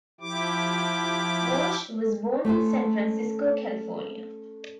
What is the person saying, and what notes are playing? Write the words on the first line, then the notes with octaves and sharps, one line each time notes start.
Walsh was born in San Francisco, California.
F3 E4 G4 D6
A3 C#4 A4 C5